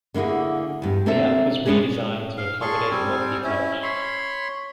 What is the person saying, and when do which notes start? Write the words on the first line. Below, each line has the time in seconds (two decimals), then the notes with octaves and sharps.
The app was redesigned to accommodate multi-touch.
0.14 D3 A#3 E4 F#4 G#4
0.82 E2 G2
1.06 A#3 C4 D4 A4 E5
1.66 G#3 B3 C#4 D4 G#4
2.38 F5
2.61 G#4 A4 C6 C#6
2.90 G3 C4 G#5
3.44 C#4 E4
3.83 C#5 B5 C6